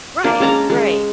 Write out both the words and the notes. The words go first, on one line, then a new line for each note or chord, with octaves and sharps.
Right right,
A#3 D4
G#3 C#4 A5 A#5
G#3